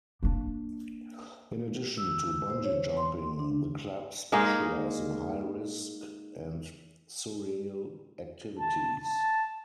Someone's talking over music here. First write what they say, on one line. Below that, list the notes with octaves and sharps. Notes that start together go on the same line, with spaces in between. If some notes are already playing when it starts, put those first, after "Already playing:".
In addition to bungee jumping, the club specialised in high risk and surreal activities.
A#3 D4
E6
C5
C#5
C6
D4
G#3 A#3 D#4 G#4
A5
A5